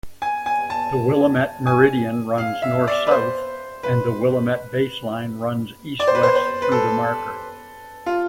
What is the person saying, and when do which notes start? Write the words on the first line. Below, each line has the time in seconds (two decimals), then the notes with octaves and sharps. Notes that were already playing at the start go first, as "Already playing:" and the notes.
The Willamette meridian runs north-south, and the Willamette baseline runs east-west through the marker.
0.22 G#5
0.46 G#5
0.70 A5
1.67 G#5
2.38 F5
2.62 E5
2.87 D5
3.07 B4
3.11 C5
3.83 B4
6.00 D5
6.07 C5
6.15 B4
6.23 C5
6.35 C5
6.62 B4
6.72 A4
8.06 F4